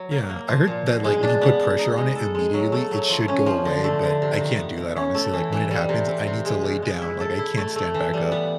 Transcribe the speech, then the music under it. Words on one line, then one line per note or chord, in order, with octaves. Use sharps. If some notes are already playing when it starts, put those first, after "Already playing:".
Yeah. I heard that, like, if you put pressure on it immediately, it should go away, but I can't do that, honestly, like, when it happens, I need to lay down, like, I can't stand back up.
Already playing: F#3
A#3
A#3
F3
A#2
B2
G#3
D4
B3
B3
D#4
G#3
A4
G#3
F#3
A3
F#3
F3
C#4
F3
D3
A3
D3
C3
D#3
B3
B2
C#4
A3
E3
E3
G3
C3
C3
C3
G#3
B2
G#3
E4
A4
E4
A3
A3
E3
G3
B3